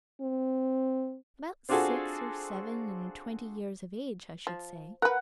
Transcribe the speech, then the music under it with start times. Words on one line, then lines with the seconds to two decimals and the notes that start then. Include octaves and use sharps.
"About six or seven and twenty years of age, I should say."
0.21 C4
1.69 C4 D4 F4 F#4 G#4 A4
4.47 F3
5.02 A#4 B4 F#5